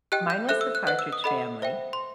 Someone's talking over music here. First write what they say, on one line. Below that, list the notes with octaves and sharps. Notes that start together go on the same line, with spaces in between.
Mine was The Partridge Family.
G4 D#5 G5 F#6
G6
A4 C5 E5 F#6
E6
F#6
B4 D#5 F#5 F#6
E6
D#6
A4 D#5 F#5 B5
C5 E5 G5
C6